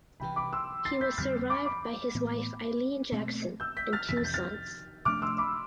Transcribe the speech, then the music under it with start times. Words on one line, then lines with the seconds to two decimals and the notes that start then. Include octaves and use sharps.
He was survived by his wife Eileen Jackson and two sons.
0.20 C2 C3 E3 G5 B5
0.36 B5 D6
0.53 C6 E6
0.85 A6 C7
1.01 G6 B6
1.18 F2 D3 G3 C4 F6 A6
1.50 B5 D6
1.65 B5 D6
2.15 A2 E3 B3
3.12 B2 A3 C4
3.60 E6 G6
3.77 G6 B6
3.93 F6 A6
4.09 F2 C3 E3 B6
4.17 A6
4.25 G6
4.34 F6 A6
5.05 C3 F3 A3 D4 D6 F6
5.22 C6 E6
5.38 B5 D6